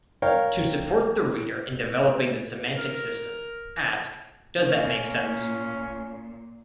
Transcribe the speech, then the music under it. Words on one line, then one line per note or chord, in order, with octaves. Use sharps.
To support the reader in developing the semantic system, ask, "Does that make sense"?
A#4 C#5 F5 G5
A#4
A#2 C#4